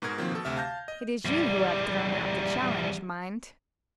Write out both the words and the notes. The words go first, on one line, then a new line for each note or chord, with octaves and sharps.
"It is you who have thrown out the challenge, mind."
G#2 B2 F#4 A#4 G#6
D#3 F3 F#3 A#3 C4
B2 A4
D2 C3 E5 F6
F5 A5 G6 A#6
D#5
E2 G3